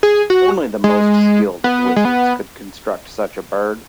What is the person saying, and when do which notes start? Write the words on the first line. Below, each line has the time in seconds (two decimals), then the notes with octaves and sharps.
Only the most skilled of wizards could construct such a bird.
0.03 G#4
0.30 F#4
0.84 G#3
1.64 B3
1.96 G#3
2.05 B3